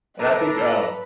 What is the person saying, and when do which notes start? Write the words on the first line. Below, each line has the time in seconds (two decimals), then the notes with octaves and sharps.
And I think, um,
0.19 D4 A4 B4 A#5